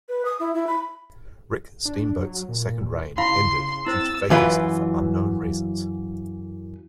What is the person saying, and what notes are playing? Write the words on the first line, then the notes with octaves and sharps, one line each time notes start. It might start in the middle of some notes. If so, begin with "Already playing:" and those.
Rick Steamboat's second reign ended due to vacancy for unknown reasons.
B4
D#6
E4
E4
B5
D4
F#3
A#2
C#3 E4 F5 B5 C6
C4 E4 C5 E6 A6
F#2 E3 F4 B4